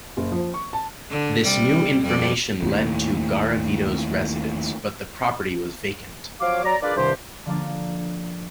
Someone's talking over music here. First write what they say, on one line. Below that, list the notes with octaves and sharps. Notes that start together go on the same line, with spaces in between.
This new information led them to Garavito's residence, but the property was vacant.
F#1
F3
C#6
A5
D3
C3 G3
F2 G3 D5
D#2 A2
F3 F#3 C#5 F5 D6
F#3 D5 A#5
D4 F4 G#4 A#4 B4 D5
C2 G2 C3 D#3 G4 C5
D3 F3 A#3 D4